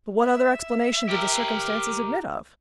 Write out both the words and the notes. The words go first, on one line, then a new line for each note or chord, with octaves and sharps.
But what other explanation did the circumstances admit of?
E5
G4 A#4